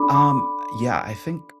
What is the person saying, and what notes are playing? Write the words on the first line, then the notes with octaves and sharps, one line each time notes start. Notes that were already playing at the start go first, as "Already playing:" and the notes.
Um, yeah, I think
Already playing: D4 A4 D5 B5 D6
B5 D6